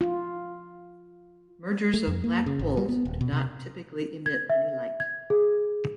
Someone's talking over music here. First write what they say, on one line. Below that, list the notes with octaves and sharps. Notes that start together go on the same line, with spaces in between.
Mergers of black holes do not typically emit any light.
F4
A3
F2
A#3
C#3
G#1
G3
B3
D#1
B2
C3
G#6
E5
G#6
G#4